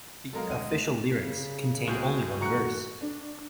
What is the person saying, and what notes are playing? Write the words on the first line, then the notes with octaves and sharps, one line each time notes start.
The official lyrics contain only one verse.
F#3 G#3 A4 A#4 F5
D2 F#5 D#7
A3
C#3 B6 C7
C#2 G#3 F#4 G#4 G6
D#3 A3 F#4 A#5 C#6 F#6 C#7
D4